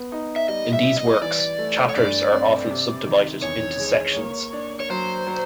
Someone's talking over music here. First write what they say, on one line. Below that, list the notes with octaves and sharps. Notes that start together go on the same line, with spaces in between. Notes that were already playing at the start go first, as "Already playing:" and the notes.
In these works, chapters are often subdivided into sections.
Already playing: B3
D#4
E5
G3 D#5
E5
G3
D#5
E3 D5
A3
C#5
G2 D5
C4
C3
D#3
E2 C#5
G#3
A#3
D4
C#5
F#3 C5
F#3